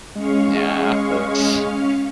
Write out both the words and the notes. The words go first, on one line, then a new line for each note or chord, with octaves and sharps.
yeah, that's
G#3 C#4 F5 C#6